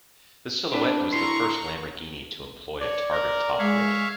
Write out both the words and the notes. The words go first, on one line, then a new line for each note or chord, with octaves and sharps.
The Silhouette was the first Lamborghini to employ a targa top roof.
C4 D4 B4
D3 E4 A#5 C6 C#6
C#5 D5
A#4
G#3 C#5 E5 F5